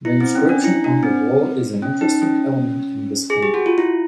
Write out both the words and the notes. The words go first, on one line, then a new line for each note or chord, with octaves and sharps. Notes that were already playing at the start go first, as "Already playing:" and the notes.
The inscription on the wall is an interesting element in this painting.
E4
C4
C#4
D4
E4
D4
C4
C#4
D#4
C#4
G#4
G4
F#4
F4
E4